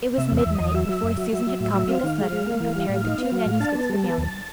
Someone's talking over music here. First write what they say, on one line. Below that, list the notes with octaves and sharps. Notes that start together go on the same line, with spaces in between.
It was midnight before Susan had copied this letter and prepared the two manuscripts for mailing.
C3 E5
E2
E5
E2
D#5
E2
F#3 E5
F#3
F#2
F#3
F#3
F#3
A2
F#3
C4 F5
D#3
G#3
G#3
A#3
E3
G3
A2
D#4
B3
F#3
A2
D4 A5
B3
G3
B3
D#2